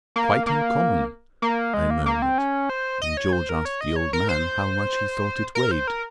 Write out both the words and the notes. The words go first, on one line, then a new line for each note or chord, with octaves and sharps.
"Quite uncommon," I murmured; and George asked the old man how much he thought it weighed.
A#3
A#3
A#3
G#3
A#3
A#3
C4
C#4
C5
D#5
C#5
C5
A#4
C#5
D#5
C#5
A#4
C5
A#4
C5
A#4